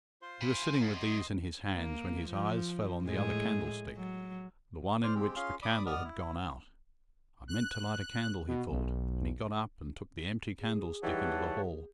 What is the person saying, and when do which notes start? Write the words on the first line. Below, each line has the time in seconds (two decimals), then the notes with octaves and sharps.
He was sitting with these in his hands when his eyes fell on the other candlestick, the one in which the candle had gone out "I meant to light a candle," he thought, and he got up and took the empty candlestick into the hall.
0.22 F4 C5 C6
0.41 G#5 B5
0.81 F#2 D#5 F5
0.94 D#5 C6 D#6
1.75 A#3
2.29 F3
3.04 A2 G#3 G#4
3.96 F#3
5.03 C5 D5 F6
5.15 G#3 C4 G4
5.36 C#4 F4 G#4 F5 C6
5.62 D5 B5 D6 D#6
5.86 B3 D5 D#5 D#6 F6
6.04 E4
7.48 F#6
8.48 B2
8.70 B1
10.60 G#4
11.03 E3 G3 D#4 G4 C#5 F#5 A5